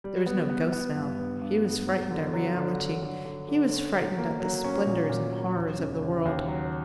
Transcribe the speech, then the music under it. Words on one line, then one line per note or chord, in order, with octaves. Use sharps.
There was no ghost now; he was frightened at reality; he was frightened at the splendours and horrors of the world.
G3
B3
B3
B3
G2
B3
G2
B3
F#3
D3
F#3
D3
D3
D3
D3
D3
C#4
F#3
A#3
F#3
C#4
A#2
A#2
F#3
D#2
C#3
D#2
D#2
F#3